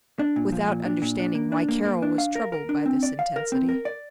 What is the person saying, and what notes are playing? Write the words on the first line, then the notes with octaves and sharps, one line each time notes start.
Without understanding why Carol was troubled by this intensity.
D4
A#2
F3
A#2
D4
A#2
D4
A#3
D4
A#3
A#3
D4
F5
A#4
A#4
D4
C4
D5
F5
A#4
C4
A#4
D5